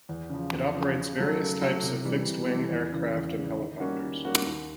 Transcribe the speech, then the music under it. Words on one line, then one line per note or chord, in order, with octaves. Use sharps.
It operates various types of fixed-wing aircraft and helicopters.
E2
C#3 F3
E2
C#3 F3
C#3
F#3 A3
C#3
F#3 A3
C3
E3 G3
C3
E3 G3
E2
C#3 E3
E2
C#3 E3
D#3
G3 A#3 C#4 F#4
D#3
G3 A#3 C#4 F#4
D#2